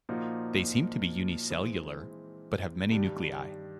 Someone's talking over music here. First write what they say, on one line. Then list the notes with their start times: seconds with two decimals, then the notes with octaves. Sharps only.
They seem to be unicellular, but have many nuclei.
0.09 A#2 F3 A#3 D#4 F#4
1.50 E3 G#3 C4
2.92 G2 D#3 G3